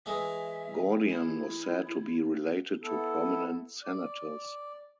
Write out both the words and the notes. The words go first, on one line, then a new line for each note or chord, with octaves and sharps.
Gordian was said to be related to prominent senators.
E3 G#3 E5
E4
B3 E4 A4
D5